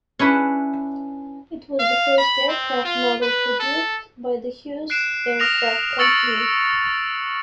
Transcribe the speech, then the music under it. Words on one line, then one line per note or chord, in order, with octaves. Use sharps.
It was the first aircraft model produced by the Hughes Aircraft company.
C#4 D4 E4 B4
F5
B5
C4
F4
B4
A4
F#6 C7 D7 E7
D#6 F6 A#6 D7 F7
C#6 E6 A6 C#7 D7 F#7